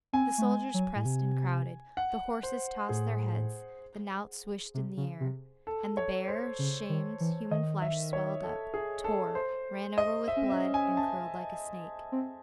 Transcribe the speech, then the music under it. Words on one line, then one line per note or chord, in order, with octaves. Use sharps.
The soldiers pressed and crowded, the horses tossed their heads, the knout swished in the air, and the bare, shamed human flesh swelled up, tore, ran over with blood, and curled like a snake.
C4 G#5
A3
G#3
F#3
A2
C3
F#5
C5
A2 G#4
C3
C#3
C3
A4
C#5
C5
C#3
D#3
E3
D#3 D#5
E5
C#5
A4
G#4
A4
C5
D#5
E5
C#4
C4
C#4 E5
G#5
A5
C4